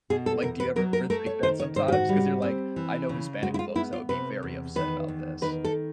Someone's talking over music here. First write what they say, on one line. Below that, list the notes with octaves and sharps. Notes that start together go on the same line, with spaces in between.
Like, do you ever think that sometimes? 'Cause you're like, "I know Hispanic folks that would be very upset about this,"
B2 G#4
A4
E2 A#4
B4
F#3 A#4
A#4
A3 A#4
C#5
D#3 C5
C#5
G#2 C5
G4
F#4
G3
C4
E3
C#3
G#3 F#4
E4
F4
B3 E4
F4
C3 B4
E2
D#3 B4
E2
D#3 B4
A4